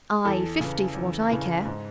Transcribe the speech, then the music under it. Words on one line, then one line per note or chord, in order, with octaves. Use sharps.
Aye, fifty, for what I care.
E2 A4
C#3 E3
E2
C#3 E3
G#2